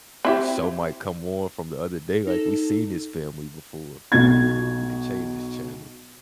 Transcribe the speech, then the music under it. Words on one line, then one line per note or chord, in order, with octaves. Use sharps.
show might come on from the other day, like, "We seen this family before, like, we could we could change this channel."
C4 E4 G4
D#4 A4
B1 B2 G#6